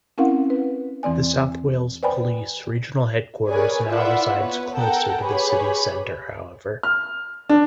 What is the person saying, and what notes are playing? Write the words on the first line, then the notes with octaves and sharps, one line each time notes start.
The South Wales Police regional headquarters now resides closer to the city centre however.
C4 C#4 E4 A#4 F5 F#5
B4
E2 E3 C4 D5 G#5
B4 C5 D5 G5 G#5 B5
G#4 A#4 B4 C#5 D5 G#5
E4 F4 B4 D5 E5 F#5
B3 B4 C#5
A4 A#4 F#5 G5
G4 G#4 B4 C#5 B5
F6
D4